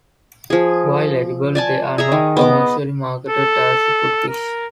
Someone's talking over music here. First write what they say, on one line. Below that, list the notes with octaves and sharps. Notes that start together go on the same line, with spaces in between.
While edible, they are not commercially marketed as a food fish.
F3 G#4
D5 G#5 A5
G#4 E5 A#5
D#3
B3 D#5 D6
A4
A#4